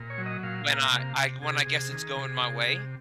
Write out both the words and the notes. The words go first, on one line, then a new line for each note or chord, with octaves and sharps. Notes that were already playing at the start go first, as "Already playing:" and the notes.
When I I when, I guess it's going my way.
Already playing: A#2
C#5
F#3
D#5
A#2 F5
A#3
C3
C3
C3 G#4
C3
D#3
C3
C3
C3